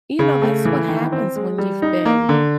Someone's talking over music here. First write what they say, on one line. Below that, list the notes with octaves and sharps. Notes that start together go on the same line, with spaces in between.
you know, that's what happens when you've been
C#3
A3
E3
D#3
C4
G#3
G3
D#4
A#3
D3